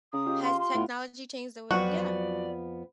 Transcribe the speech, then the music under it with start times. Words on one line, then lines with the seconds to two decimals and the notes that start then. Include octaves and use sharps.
Has technology changed the way Yeah.
0.13 C#3 A#5 D#6
0.26 F4 G4 D#5
0.44 F5 C6
0.60 C6
0.74 A2 B3 F4
1.71 F2 F3 F#3 B3 F#4 D5